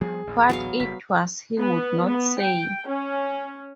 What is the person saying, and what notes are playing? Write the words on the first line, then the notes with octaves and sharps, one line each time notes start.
What it was he would not say.
F3 G3 B3 G#4
A1 D2
F#3 B3 F5
F#1 G3 B6
B3
B3
G5
C#4